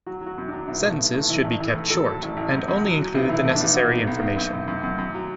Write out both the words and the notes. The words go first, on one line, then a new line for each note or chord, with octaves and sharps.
Sentences should be kept short, and only include the necessary information.
F#3 F#4
F#3
F#4
F#2
F#3 D4
B1 E4
A2
B1
A2
E3 E4
A1
E3
A2
F#3 A4
A2
A1
A1
F#2
F#2
F#3
F#3
B1 E4
E3
E4
A2
B1 D4
B2 F#4
B1
B1
B1
F#2
F#2
F#2
F#2
F#2
F#3